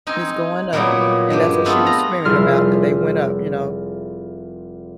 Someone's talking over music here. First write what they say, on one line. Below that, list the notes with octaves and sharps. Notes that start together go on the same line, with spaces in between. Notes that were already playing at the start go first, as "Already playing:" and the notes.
It's going up and that's what she was screaming about that they went up, you know,
C4 D#4 G#5
A#2 F#3 G3 B3 E4 G4
G2 G#3 G4
A3 B3 C4 F4
A#5
F1 G3 E4 G#4 C6 F6